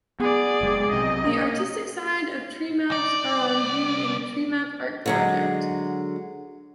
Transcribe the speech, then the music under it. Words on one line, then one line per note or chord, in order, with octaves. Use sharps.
The artistic side of treemaps are on view in the Treemap Art Project.
B3 G#4 D5
F#1 G#3
B1 C3 D#5
A#3
C2 D5
D3 F#3 G#3